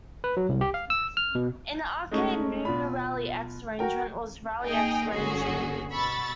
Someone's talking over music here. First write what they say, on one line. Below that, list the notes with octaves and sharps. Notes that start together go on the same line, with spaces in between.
In the arcade, "New Rally-X Arrangement" was "Rally-X Arrangement".
B4
F#3
C2
G4
F5
E6
F6
B2
G#3 A3 C#4 D#4 C#6
B2 F4 B5
F#4 A#4 G5
A#3 D#4 G#4 D#5 G5
G1 D#2 D3 C#4 F#4 G#4
B2 B5 C#6 E6 A6